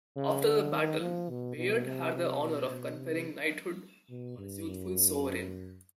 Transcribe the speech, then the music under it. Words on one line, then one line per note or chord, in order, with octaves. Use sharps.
After the battle, Bayard had the honour of conferring knighthood on his youthful sovereign.
C#3
D3
D#3
F3
B2
B2
C3
C3
B2
B2
C3
B2
G2
F#2